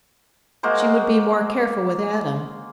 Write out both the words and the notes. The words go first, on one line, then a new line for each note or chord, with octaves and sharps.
She would be more careful with Adam.
G#3 A#3 F#4 C5